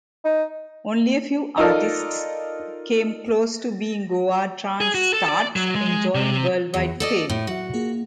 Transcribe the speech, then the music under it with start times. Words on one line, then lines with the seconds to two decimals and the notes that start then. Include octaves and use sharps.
Only a few artists came close to being Goa trance "stars", enjoying worldwide fame.
0.25 D#4
1.58 D#4 F4 A4 A#4 D5
4.81 G#4
4.95 F#4
5.13 A4
5.28 D5
5.56 F#3
5.75 G#3
6.15 C3
6.74 E2
7.00 A4 D5 D#5
7.30 A2
7.47 F#3 F#4 E5
7.74 A#3 F4 G#4